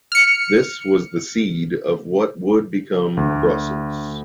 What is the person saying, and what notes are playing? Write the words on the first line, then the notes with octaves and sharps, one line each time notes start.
This was the seed of what would become Brussels.
F6 C#7
D2